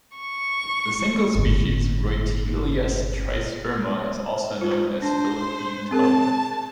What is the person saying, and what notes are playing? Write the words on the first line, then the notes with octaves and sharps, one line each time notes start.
The single species, Reutealis trisperma is also known as Philippine tung.
C#6
G1 A2
F4 C5
D4 C5 A5
C4 G#4 A#4 A5